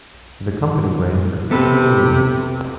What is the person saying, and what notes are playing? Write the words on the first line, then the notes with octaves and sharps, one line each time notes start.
The company ran for sixteen years.
C3 B3 A4 B4